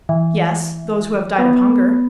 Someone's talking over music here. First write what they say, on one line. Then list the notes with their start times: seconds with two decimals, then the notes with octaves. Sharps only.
"Yes; those who have died of hunger."
0.09 E3
1.38 B3